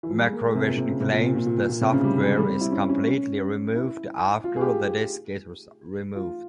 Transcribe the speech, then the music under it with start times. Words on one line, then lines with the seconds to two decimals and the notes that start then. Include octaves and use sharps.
Macrovision claims the software is completely removed after the disc is removed.
0.03 E3
0.10 F3
0.18 G3
0.25 G#3
0.33 A#3
0.44 G#3
0.55 C3
0.66 A#2
0.78 C3
0.90 C#3
1.01 C3
1.12 A#2
1.24 A#2
1.35 A#2
1.46 A#2
1.58 A#2
1.69 A#2
1.81 C3
1.92 C#3
2.04 G3
2.21 G#3
2.38 G3
2.49 C4
2.61 E4
2.72 C#4
2.89 C#4
3.07 C#4
3.75 E4
4.44 F4
4.56 G#4
4.61 G4
6.16 F4